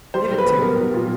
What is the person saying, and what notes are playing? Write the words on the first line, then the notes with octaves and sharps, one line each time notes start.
Give it to me!
G3 C5
B1
B4
B3
B3 A#4
B1
A#2